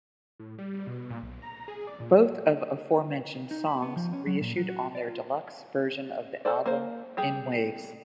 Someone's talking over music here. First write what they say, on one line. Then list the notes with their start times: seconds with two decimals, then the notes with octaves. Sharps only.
Both of aforementioned songs re-issued on their deluxe version of the album "In Waves".
0.40 A2
0.58 G3
0.87 B2
1.10 A#2
1.22 B1
1.42 A#5
1.68 G#4
1.87 D5
2.00 A#2
3.51 D#4
3.66 B5
3.82 B3
3.96 F3
4.13 C#4
4.27 F#3
4.41 A#2
4.57 F#3
4.69 F#4
4.95 D5
5.08 F4
6.45 F#4 A4 C5 D5
6.66 A#3 C5
7.17 G3 G4 G#4